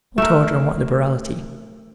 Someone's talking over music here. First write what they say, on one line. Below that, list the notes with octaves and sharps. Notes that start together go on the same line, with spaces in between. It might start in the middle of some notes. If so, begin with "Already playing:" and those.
What order and what liberality!
A3 A#4